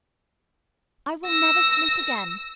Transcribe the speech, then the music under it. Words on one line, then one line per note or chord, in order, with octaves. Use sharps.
I will never sleep again.
E6 A#6